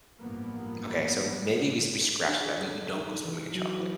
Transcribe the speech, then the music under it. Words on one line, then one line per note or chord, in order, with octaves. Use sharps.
Okay, so m maybe we s we scratch that. We we don't go swimming in chocolate.
A1 G2 F3 A#3 B3
D4
G#4
A4
D#4
E3
F#3
E4